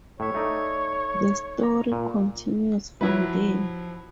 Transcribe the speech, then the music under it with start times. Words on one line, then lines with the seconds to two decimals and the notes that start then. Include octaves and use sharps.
The story continues from there.
0.20 A2 C#5 E5
0.34 A3 D#4 D5
1.63 A#5
1.92 A#2
3.01 F3 F#3 E4 B4